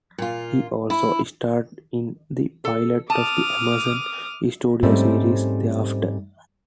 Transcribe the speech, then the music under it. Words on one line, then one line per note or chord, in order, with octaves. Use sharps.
He also starred in the pilot of the Amazon Studios series "The After".
A#2 F4
E4
A4
A5 D6 D#6 F6
G#2 G3 A3 C4 C#4